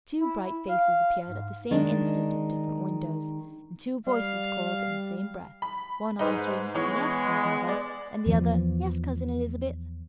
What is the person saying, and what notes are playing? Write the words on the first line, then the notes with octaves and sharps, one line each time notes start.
Two bright faces appeared at the same instant at different windows, and two voices called in the same breath, one answering, "Yes, godmother," and the other, "Yes, Cousin Elizabeth."
E4
F5
G#2
D#3 G#3 D4
G3 F5
B5
G#2 D#4 B4 C5
E3 G#3 B3 C#5 C#6
D5
E2 E3 F3